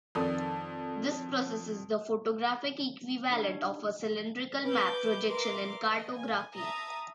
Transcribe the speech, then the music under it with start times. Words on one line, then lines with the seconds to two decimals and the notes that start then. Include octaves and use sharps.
This process is the photographic equivalent of a cylindrical map projection in cartography.
0.15 F2 D#3 A4 D5 D#6
3.30 D4 D#4 G4
4.64 B4 D6 G6
5.27 A#4 B4 E5 C6 D6
5.86 D#5
6.17 G#5
6.53 E5 A5 A#5 D#6